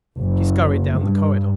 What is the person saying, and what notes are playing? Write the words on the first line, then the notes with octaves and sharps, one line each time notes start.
She scurried down the corridor.
F#1
G2